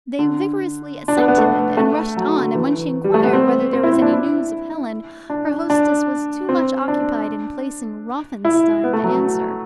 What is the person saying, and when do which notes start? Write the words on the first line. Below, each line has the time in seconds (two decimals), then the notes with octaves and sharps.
They vigorously assented, and rushed on, and when she inquired whether there was any news of Helen, her hostess was too much occupied in placing Rothenstein to answer.
0.19 D3
1.08 D4
1.17 B3
1.28 B3
1.38 A3
1.77 A3
2.16 F#3
2.36 D3
2.55 E3
3.04 G3
3.14 A3
3.23 B3
3.33 C4
3.73 C4
3.83 E4
3.93 C4
4.02 D4
4.13 E4
5.30 D4
5.70 D4
6.49 C4
6.88 D4
8.45 E4
8.84 B3
8.93 A3
9.03 F#3